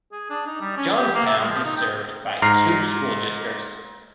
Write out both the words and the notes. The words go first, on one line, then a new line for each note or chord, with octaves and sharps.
Johnstown is served by two school districts.
G#4
D4
D#4
G3
C#4
G4
A#3
E5
G#3
F3
D#4
G5
G#2 A#5 F6 A#6 C7